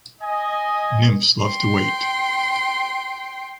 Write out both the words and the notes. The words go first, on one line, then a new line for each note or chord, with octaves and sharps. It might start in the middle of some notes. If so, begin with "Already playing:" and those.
Nymphs love to wait.
D#5 G#5
G5 C6